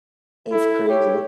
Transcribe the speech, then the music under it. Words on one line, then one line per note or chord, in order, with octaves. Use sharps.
It's crazy.
E4 A4
G4 C#5